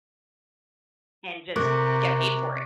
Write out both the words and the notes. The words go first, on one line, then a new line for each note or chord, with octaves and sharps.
And just get paid for it.
C3 A#4 C#6 D6 F#6